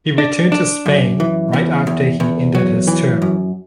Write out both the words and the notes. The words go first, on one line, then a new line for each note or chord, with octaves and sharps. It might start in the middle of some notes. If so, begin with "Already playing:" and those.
He returned to Spain right after he ended his term.
D4
D4
F#2
E3
E2
E2
E2
F#3
E3
F#2